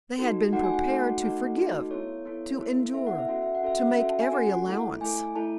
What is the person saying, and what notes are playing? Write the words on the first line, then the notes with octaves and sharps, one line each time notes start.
They had been prepared to forgive, to endure, to make every allowance.
D#4 F#4 A4
A3 D#4 F#4 A4 F#5
G#5
F#5
A3 D#4 F#4 A4
A3 D#4 F#4 A4
A3 D#4 F#4 A4
B3 E4 A4 C#5
B3 E4 A4
B3 E4 A4
B3 E4 A4 E5
F#5
E5
C#4 F#4 A4 F#5
E5
F#5
C#4 F#4 A4 E5
F#5
E5
C#4 F#4 A4
A5
G#5
C#4 F#4 A4 F#5
F#5
A3 E4 A4
A3 E4 A4 G#5
A3 E4 A4 A5